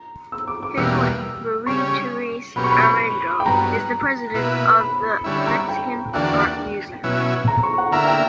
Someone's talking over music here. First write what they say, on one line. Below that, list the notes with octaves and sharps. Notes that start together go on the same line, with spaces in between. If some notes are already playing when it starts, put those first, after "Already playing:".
His wife, Marie-Therese Arango, is the president of the Mexican Folk Art Museum.
Already playing: A#5
E6
D6
D6
E2 B2 G3 A#3 E6
C#3 G3 C#4 C#6
B2 F#3 A#3 C#4 G4 B5
C#6
B5
G5
G2 F#3 B3 A#5
B2 A#3 E4 B4
B5
D3 G3 C#4 E4 B5
A#5
G5
E2 D3 A#3 D4 F#4 G5
B2 F#3 C#4 E4
A#5
C#6
F#5
D3 A#3 E4 A#4 E5 A#5
G5